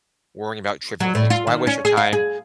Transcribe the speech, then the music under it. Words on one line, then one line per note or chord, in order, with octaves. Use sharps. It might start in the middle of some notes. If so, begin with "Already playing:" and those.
worrying about trivial things? Why waste your time
F#3
A2
F4
D#3
C#4
G#4
F5
G#4